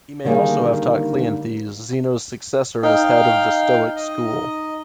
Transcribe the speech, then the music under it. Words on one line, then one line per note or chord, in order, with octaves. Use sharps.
He may also have taught Cleanthes, Zeno's successor as head of the Stoic school.
D3 D#3 G3 A#3 G#4
D#4 F5 G5
D#5